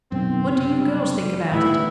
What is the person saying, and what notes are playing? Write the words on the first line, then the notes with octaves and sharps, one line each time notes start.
"What do you girls think about it?"
F#2 B2 D#3 C4
F#1 A2 C3
G3
A1 D2 A2 G3 B3 E4